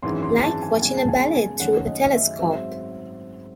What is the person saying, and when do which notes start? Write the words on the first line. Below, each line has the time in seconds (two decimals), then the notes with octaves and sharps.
Like watching a ballet through a telescope.
0.03 G#1 F#2 E3 G#3 D#4 C6
0.22 C6
0.43 A5
0.62 G#5
0.81 E2 C#3 G#3 G#5
0.97 A5
1.08 G#5
1.34 G#5
1.60 F#2 D#3 A3 C#4 F#5
1.87 D#5
2.12 E5
2.39 G#2 F#3 C4 E5